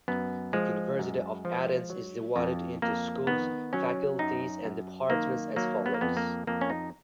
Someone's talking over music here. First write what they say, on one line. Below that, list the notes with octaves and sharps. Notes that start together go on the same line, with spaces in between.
The University of Athens is divided into schools, faculties and departments as follows.
F#2 B3
F3 G#3
F#2
F3
F#3
F2
F2 A#3
D#3 B3
F#3 C#4
F#2 D#4
F#2
D#3 A#3
F#3 A#3
B3
A#3
F2 B3
A#3
F2 A#3
C#4
D#4